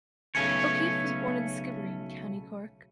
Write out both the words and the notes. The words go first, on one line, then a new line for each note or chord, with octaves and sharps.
O'Keeffe was born in Skibbereen, County Cork.
B1 C#3 A3 C#4 C#5